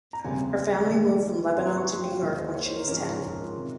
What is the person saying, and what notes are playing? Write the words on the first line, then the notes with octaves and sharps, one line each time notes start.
Her family moved from Lebanon to New York when she was ten.
A#5
F1 D#2 C#3 G3 C4 G#5
D#2 D#3 G#3
G#1 G2 G3 C#4 C6
C6
C#6
C6
G5
F5
D#2 D#3 G#3
C5
C#5
C5
A#4
G#2 F3 G#3 C#4 A#4
G#4
A#4
G#4
F4
C3 D#3